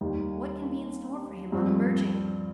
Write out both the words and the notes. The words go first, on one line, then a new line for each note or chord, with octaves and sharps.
What can be in store for him on emerging?
D#2 D#3 G3
G2 F3 C4